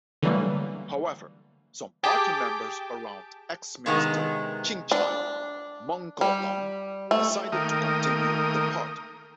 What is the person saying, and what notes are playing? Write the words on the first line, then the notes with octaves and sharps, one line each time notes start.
However, some party members around ex-minister Chingchai Mongcoltam, decided to continue the party.
D3 E3 F#3 G3 A3 A#3
G4 G#4 G5 A5 D6
C3 D#3 G#3 B3
D4
G3
A3
D#3 A3 A#3 A#4 G5 D#6